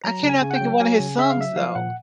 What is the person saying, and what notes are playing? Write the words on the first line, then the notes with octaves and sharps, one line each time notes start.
I cannot think of one of his songs though.
F#3 A#5
C#3
G#5
C#3
F#5
G5
F#3
F#3 G#5
C#3
C#3 E5
F5
F#3 E5
F3 F5
A#2 F#5